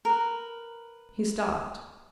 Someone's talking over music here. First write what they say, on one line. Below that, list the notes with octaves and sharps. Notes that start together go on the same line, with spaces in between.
He stopped.
A#4 B4